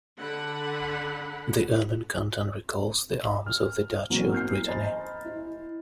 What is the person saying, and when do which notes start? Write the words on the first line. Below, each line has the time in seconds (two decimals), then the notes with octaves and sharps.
The ermine canton recalls the arms of the Duchy of Brittany.
0.19 D3 F#5 B5
3.46 F6
4.10 B2 E3 F#3 A#3 C4 C#4
4.32 F6 G6 C7
4.68 C5 D#5 G#5 A#5 B5 A6
5.25 E4